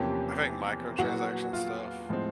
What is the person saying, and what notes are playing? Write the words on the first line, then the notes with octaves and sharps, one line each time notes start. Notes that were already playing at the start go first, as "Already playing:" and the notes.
I think microtransaction stuff
Already playing: E2 C3 F3 A#3 C#4 G4
A#2 F#3 B3 E4 F#4 G#4
F4
A2 F3 G#3 C4